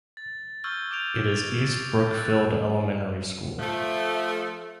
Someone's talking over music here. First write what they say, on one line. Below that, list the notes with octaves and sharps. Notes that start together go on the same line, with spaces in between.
It is East Brookfield Elementary School.
A6
C#6 E6 F6 G6 G#6 G7
D6 G6 D7 F7
A6
E6 F#6 A6
F3 A3